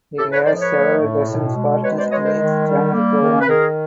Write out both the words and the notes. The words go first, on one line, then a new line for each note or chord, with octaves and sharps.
It has several dozen partners in its channel program.
A2 G4 A4
B4 C#5
F3 C5 D5
B4 C#5
A3
A2
B2
G#3
B2 B4 C#5
C5 D5
G#3 C#5 D#5
A#4 C5
D#3
G3
A#3
D#3
B4
D#3 G#4 A#4